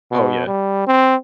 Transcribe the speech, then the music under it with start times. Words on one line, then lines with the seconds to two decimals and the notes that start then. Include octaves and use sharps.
Oh, yeah.
0.11 B2
0.47 G3
0.87 C4